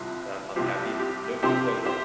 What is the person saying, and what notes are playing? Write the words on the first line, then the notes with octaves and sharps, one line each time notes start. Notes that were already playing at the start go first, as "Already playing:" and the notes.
I'm I'm happy, no food poisoning.
Already playing: C2 C3 F3 C4
C2 C3 F3 C4 G4
G4
C2 C3 F3 C4 G4 C5
G4 C5